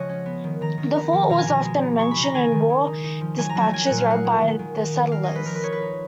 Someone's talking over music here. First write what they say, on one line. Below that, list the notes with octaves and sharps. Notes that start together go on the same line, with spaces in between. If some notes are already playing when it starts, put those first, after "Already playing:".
The fort was often mentioned in war dispatches read by the settlers.
Already playing: C#3 F3 G#3 C#5 D#5 F#5
C#4
B3
D#3
D#3 A#5
D#3
B3 A#5
F3
B2 A#5
G#5
B2 A#5
G#3
D#4
G#3 C#6
B5
C#3
A#5
D#3 G#5
D#3
G#3
D#4
D#4
F3
F#3 G#5
A#5
F#3
G#5
A#3 G#5
A#2 F#5
F5
D#4 F#5
G#3
D#3
D#3
D#4
F3
A#3 F5
C#4 D#5
B4
F3 A#4
B4
D#4 C#5
B4
D#4